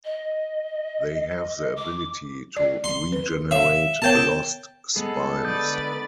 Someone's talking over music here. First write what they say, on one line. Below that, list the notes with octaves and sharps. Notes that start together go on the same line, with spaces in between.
They have the ability to regenerate lost spines.
D#5
D6
D5
C6
C4 B4
C#5 E5 F5
B3 A#4 C#5 G5 A5
G#3 B3 G#4 A4
D3 B4 D5 D#6 G6 A6